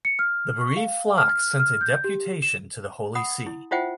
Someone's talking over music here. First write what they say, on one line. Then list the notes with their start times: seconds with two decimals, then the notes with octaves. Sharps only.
The bereaved flock sent a deputation to the Holy See.
0.05 C#7
0.19 F6
0.61 C#6
0.77 F5
1.18 F6
1.60 F6
1.81 G6
2.04 G4
2.42 E7
3.15 F#5 B5 D#6
3.46 E4
3.71 E4 F4 C5 E5 F#5 G5